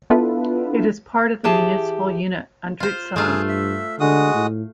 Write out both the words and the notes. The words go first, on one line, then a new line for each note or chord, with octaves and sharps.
It is part of the municipal unit Andritsaina.
B3 D4 E4 F4 A4 B4
E3 G4 G#4 A5
F4 C5
G2 A3 F4 G#4
E5
D3 G#3 F#4 D#6
A2